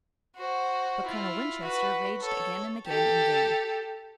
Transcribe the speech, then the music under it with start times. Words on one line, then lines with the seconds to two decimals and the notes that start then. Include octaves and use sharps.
But Colonel Winchester raged again and again in vain.
0.36 F#4 C5
1.05 E4 F4
1.63 F#4 B4
2.22 A4 C#5
2.87 G4 A4